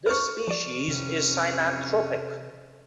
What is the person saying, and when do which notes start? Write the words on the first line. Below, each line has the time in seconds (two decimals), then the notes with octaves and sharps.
This species is synanthropic.
0.06 B4 C5 C#6 F6
0.47 F3 D5
0.88 F2 C3 E3 C#4